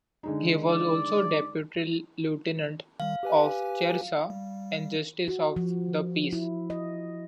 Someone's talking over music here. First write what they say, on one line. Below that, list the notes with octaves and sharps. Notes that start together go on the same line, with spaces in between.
He was also Deputy Lieutenant of Cheshire and Justice of the Peace.
D3 G#3 D#4
D5
D#3 G3 F5
G4 B4 G#5
G3
F#4
F3
E4
D#5